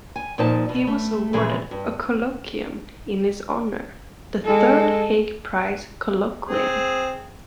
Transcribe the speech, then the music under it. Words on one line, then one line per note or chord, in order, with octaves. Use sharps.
He was awarded a colloquium in his honour: The Third Hague Prize Colloquium.
G#5
A#2 F3 D#4 C5 D5 A5
B2
A3
A#2 C#3 E3 F3 G#3 G#4
G2
G#3 A4
C4 G#4